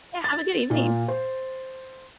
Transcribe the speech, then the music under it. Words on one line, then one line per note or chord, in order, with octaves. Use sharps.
Yeah, have a good evening.
A6
A#2
C5